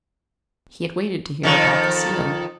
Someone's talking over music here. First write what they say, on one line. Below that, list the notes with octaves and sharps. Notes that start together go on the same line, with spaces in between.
He had waited to hear about the seal.
F2 D#3